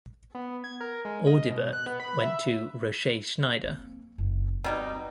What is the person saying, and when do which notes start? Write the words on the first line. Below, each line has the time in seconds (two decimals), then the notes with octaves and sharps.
Audibert went to Rochet-Schneider.
0.35 B3
0.64 G#6
0.81 A#4
1.05 G#3
1.27 D#5
1.50 B2
1.73 F#6
1.86 B3
2.00 B5
2.22 E5
3.63 A#3 C4
4.18 F#1
4.64 B2 G3 C4 D#4